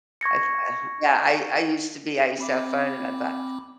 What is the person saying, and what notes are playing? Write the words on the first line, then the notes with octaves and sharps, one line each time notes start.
I th I huh yeah, I I used to be I used to have fun and I thought,
C#6 G#6 A#6 C#7
C4 B5 D6